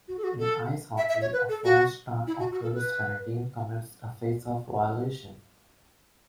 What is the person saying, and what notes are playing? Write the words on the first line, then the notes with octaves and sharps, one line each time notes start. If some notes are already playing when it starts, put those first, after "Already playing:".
In ice hockey, a false start occurs when a team commits a faceoff violation.
F#4
A4
F#4
A4
E5
E5
C#5
B4
A4
F#4
E4
F#4
F#4
A4
B4